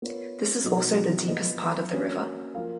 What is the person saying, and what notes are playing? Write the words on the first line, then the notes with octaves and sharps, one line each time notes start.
This is also the deepest part of the river.
B3 F4 A#4 C#5
B2 F#3 B3 D#4 A#4
F3 B3 F4 B4 D#5
A#3 C#4 F#4 C#5
F3 A#3 F4 A#4 F5